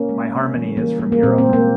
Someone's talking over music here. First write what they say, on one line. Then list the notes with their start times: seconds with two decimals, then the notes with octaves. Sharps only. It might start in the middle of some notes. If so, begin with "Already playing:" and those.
My harmony is from Europe.
Already playing: A#3 C#4
0.09 G#3
0.31 C#3
0.54 E3 G3
0.77 E3 A#3
1.00 G3 A#3
1.12 A#3
1.23 A#2 C4
1.38 C4
1.46 G#3
1.53 A#3